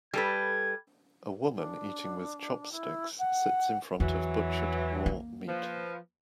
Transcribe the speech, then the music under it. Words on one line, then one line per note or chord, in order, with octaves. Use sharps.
A woman eating with chopsticks sits in front of butchered raw meat.
G3 A4 B4 G#6
D4
E4
F#5
E2 E3 F#3
A#3
F3 B4